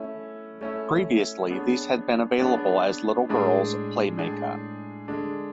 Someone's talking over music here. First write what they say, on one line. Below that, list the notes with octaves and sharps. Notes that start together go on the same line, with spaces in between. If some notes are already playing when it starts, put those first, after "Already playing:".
Previously these had been available as little girls' play makeup.
Already playing: A3 C#4 E4
A3 C#4 E4
B3 D4 G#4 C#5
B3 D4 G#4 C#5
A2 G#3 D4 G#4
A2 G#3 D4 G#4
D3 G#3 D4